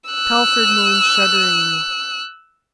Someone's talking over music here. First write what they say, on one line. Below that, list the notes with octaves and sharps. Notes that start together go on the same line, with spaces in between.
Telford moaned shudderingly.
E6 F#6